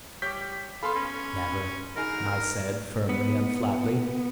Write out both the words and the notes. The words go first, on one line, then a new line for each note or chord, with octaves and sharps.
"Never," I said, firmly and flatly.
G3 G4 C#5 G6 B6
B3 A4 F5 B5 C6
C#4
F#3 D#4 G#4 A#4
B3